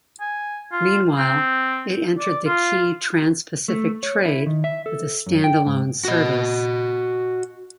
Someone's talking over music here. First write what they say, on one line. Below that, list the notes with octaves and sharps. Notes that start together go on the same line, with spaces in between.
Meanwhile, it entered the key Trans-Pacific Trade with a standalone service.
G#5
F4
C4
D5
F4
A3
C#5
E4
D#3
E5
A4
F#2
G5
G#2
F#4 D#5